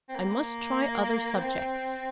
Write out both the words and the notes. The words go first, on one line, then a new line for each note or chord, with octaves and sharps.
"I must try other subjects."
C4
A#3
C4